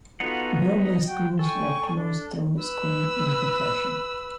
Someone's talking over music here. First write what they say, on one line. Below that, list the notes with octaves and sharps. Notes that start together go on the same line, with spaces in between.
Beverly schools were closed through school unification.
B3 D#4 F4 F#4 A4 F#5
D#5
F#4 G5
A4 G5 G#5 C#6
D4
B4 E6